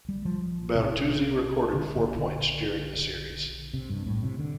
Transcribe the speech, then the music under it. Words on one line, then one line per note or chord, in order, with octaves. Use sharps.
Bertuzzi recorded four points during the series.
G3
F3
C3
D3
A#2
D3
C3
G2
A2
C3
D3